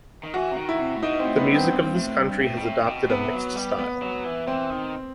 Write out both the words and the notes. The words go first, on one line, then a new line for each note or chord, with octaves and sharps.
The music of this country has adopted a mixed style.
D#3
E3 F#4
C3
D#3
E4
C3
A2
B2 D#4
C4
A2
B3
G2
C4
G2
A2
G2
A2
B2
A2
B2
C3 B3
F#3
G3
B3
F#3
E3
E3 C4
D#3